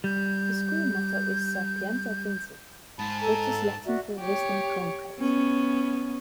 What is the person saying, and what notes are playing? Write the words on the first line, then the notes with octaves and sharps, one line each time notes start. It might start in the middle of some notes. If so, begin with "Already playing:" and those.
The school motto is "Sapienta Vincit" which is Latin for "Wisdom Conquers".
G3 G6
G#2 A5 B5
A4 A#5
F#4 D5 E5
G4 C#5
B3 C#4